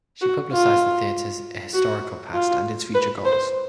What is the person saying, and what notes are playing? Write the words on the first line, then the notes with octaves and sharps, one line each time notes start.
She publicized the theatre's historical past and its future goals.
F#4
F4
F#4
F4
B4
C5